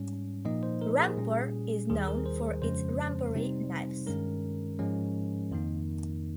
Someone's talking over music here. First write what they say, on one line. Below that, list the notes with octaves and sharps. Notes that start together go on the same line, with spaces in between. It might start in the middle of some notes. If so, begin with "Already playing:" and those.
Rampur is known for its 'Rampuri knives'.
Already playing: G#2 G3 C#4
A#2 F3 A#3 D#4 D#5
C5
A#4
G#4
A#2 G3 C#4
D#2 D#3 G3 G#4
A#4
C5
F2 C#3 F3 G#3 C#4 C5
C3 G3 C4 D#4
G2 D#3 G#3 C#4 A#4
G#2 F3 G#3 C#4
F2 D#3 A#3 D#4